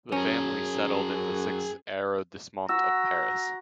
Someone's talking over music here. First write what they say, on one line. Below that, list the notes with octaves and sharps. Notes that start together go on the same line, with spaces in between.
The family settled in the sixth arrondissement of Paris.
F#2 C#4 G#4 A#4
F#4 A#5 E6